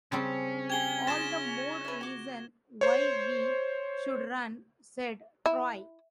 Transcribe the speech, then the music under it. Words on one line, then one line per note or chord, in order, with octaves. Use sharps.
"All the more reason why we should run," said Troy.
C#3 G3 C4 C#4 A5
G4 G#4 G#6 G7
F4 G#4 D5 A#6 E7
B4 E5
F#4 D6
C5 C#5
E4